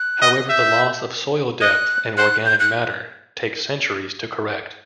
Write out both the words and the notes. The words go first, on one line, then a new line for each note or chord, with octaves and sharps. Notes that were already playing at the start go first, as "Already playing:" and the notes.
However, the loss of soil depth and organic matter takes centuries to correct.
Already playing: F#6
D#5
E5 G6
D#5 F#6
C5 F#6
G6
F#6